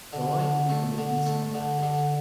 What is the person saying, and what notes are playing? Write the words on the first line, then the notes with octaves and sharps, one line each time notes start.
The light will be from the East on that date.
D3
D3
A3
D3
A3
D3
D3